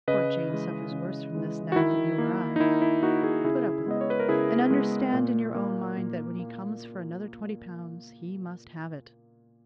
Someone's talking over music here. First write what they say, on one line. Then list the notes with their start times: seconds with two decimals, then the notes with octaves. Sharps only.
Poor Jane suffers worse from this gnat than you or I. Put up with it; and understand in your own mind that when he comes for another twenty pounds he must have it.
0.07 C#3 B4 D#5
0.50 E3 G#3
0.91 C#3
1.35 E3 G#3
1.72 F#4
1.76 D#3 E4
2.18 A#3
2.56 D#4
2.60 D#3 E4
2.82 E4
3.02 A#3 D#4 F#4
3.23 E4 G#4
3.44 C#3 E4 G#4
3.86 G#3 B3 D#5
4.01 C#5
4.10 B4
4.20 A#4
4.29 C#3 E4 G#4
4.70 G#3 B3
5.13 A#2
5.55 A#3
5.97 A#2
6.39 A#3